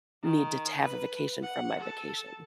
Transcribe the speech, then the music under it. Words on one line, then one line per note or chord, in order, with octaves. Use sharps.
need to to have a vacation from my vacation.
D#3
B4
F#5
A4